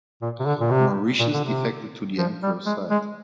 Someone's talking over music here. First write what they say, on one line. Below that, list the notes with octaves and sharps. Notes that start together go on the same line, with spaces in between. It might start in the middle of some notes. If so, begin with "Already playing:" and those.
Mauritius defected to the Emperor's side.
A#2
C3
D3
A#2
C3
A#2
D3
C3
F3
G3
G#3
G#3